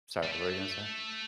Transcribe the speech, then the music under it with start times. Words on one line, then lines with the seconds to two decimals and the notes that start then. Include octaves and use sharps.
Sorry, what were you gonna say?
0.23 G3
0.32 A3